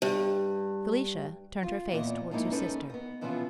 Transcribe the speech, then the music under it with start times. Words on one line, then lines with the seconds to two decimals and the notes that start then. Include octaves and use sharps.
Felicia turned her face towards her sister.
0.02 G2
1.63 F4
1.92 E2 A#2 F4 D#5
2.31 F3 G#3 A#3 D#4 E4
2.51 F#2 C#4 D#4 A4 B4
2.90 B3 D#5
3.21 B2 E3 F3 B3 C#4 F4